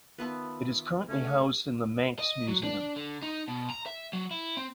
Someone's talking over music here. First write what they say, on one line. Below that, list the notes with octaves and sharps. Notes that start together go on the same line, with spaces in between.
It is currently housed in the Manx Museum.
D#3 B3 F4 B4 E5 A5
C#3 A3 C#4 D4
D#5
F#3
D4
D3
D#4
B2
A#5
E5
F#3
E4
C4